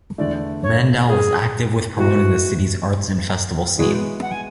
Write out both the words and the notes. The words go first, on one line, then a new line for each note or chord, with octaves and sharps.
Mandel was active with promoting the city's arts and festival scene.
E2 D3 A3 D5
C#5
G#4
A2 E3 G#3 B3 F#4
E3 G#3 B3 F#4 G#4
F#5
G#5